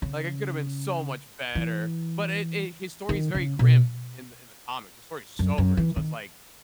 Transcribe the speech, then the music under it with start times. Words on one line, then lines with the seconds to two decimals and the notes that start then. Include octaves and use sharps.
Like, it could've been so much better." But it it his story is very grim in the in the comics. His story is so grim, so it's like
0.02 C#3
1.55 E3
3.09 D#3
3.35 C#3
3.59 B2
5.39 F#2
5.58 F#2
5.77 E3
5.96 D#3